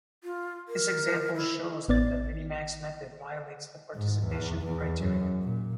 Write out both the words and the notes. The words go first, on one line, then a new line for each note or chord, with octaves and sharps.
This example shows that the Minimax method violates the Participation criterion.
F4
A#4
E4
A1 B3 D5 A6
G#2
E2
E2
F#2
A#2